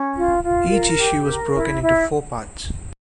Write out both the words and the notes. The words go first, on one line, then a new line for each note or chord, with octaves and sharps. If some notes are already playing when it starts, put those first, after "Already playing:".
Each issue was broken into four parts.
Already playing: C#4
F4
F4
A#4
G4
A#4
E4
E4